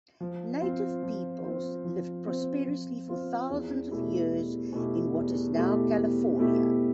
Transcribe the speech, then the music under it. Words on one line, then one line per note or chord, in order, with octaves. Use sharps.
Native peoples lived prosperously for thousands of years in what is now California.
F3
C4 F4 C5
F3
C4 F4 C5
F3
C4 F4 C5
F3
C4 F4 C5
E2
B2 A3 E4 G4
E2
B2 A3 E4 G4
E2
B2 A3 E4 G4
E2
B2 A3 E4 G4